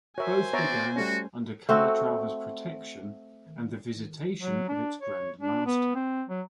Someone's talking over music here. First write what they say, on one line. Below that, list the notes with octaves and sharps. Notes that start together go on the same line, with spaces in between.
Both began under Calatrava's protection and the visitation of its grand master.
F#4 A#4 C5 C#5 E5 G#5
B3 F#4 C#5 D5 E5 A#5
G3 A3 C#4 F#4
A3 C4 F#4
F#3
D4
C#5
D4
B3
C4
F#3